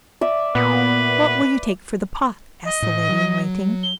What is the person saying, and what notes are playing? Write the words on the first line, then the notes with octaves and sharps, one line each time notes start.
'What will you take for the pot?' asked the lady-in-waiting.
D5 E5
A#2 B3 B4
D#5
A2
F#3
G7